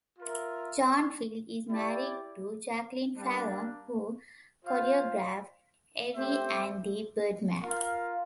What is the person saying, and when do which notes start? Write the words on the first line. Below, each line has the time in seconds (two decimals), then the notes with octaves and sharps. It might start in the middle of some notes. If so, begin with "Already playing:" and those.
John Field is married to Jacqueline Fallon, who choreographed, "Evie and the Birdman".
0.19 F4 A#4 E5
1.68 E4 G4 D5
3.16 G3 A#3 D4
4.64 F4 C5 F5
6.13 A3 C4 G4 C5 E5
7.62 F4 A#4 F5